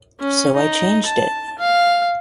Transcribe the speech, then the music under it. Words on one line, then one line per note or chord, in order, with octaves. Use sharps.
So I changed it.
C#4
D#4
A5
F5